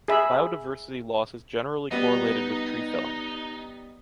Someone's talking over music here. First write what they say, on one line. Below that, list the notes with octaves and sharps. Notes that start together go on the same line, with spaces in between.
Biodiversity loss is generally correlated with tree felling.
G#4 E5 B5
G3 B3 D#4 D#5